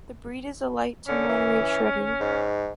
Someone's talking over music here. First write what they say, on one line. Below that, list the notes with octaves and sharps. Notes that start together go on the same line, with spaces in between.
The breed is a light to moderate shedder.
D3 C#4
E3
G#2